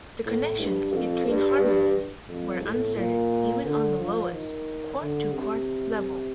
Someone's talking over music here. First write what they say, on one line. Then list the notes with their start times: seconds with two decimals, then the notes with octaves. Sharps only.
The connections between harmonies were uncertain even on the lowest—chord-to-chord—level.
0.26 A2
0.59 G2
0.92 F2
1.27 G2
1.60 G2
2.29 F2
2.62 A2
2.96 A#2
3.64 D3
3.98 F3
4.32 D#3
4.99 D3
5.33 C3